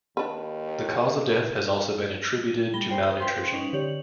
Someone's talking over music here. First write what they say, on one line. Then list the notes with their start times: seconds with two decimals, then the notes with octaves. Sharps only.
The cause of death has also been attributed to malnutrition.
0.17 D#2 D4 B4
2.74 G3 B5 A#6 G7
2.90 C5 G5
3.20 B4 C5 F5 G5 C6
3.52 C#4 D#4 B4 F7 F#7
3.73 D3 G4 C#5 F#7